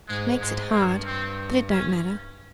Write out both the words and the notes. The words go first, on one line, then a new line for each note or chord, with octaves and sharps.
Makes it hard; but it don't matter.'
G#2 G#3
G#2 G#3
G2 A#3
C4
C#4